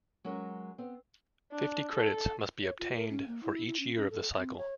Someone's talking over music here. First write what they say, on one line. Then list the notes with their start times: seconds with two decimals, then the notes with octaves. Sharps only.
Fifty credits must be obtained for each year of the cycle.
0.25 F#3 G#3 C#4 A#4
0.78 B3 C4
1.52 D4
1.93 A4
2.63 C#5
2.79 F4
2.94 A#4
3.10 C#4
3.27 A#3
3.43 E4
3.66 E4
3.79 C#4
3.97 C#4
4.10 A4
4.37 C4
4.58 C#5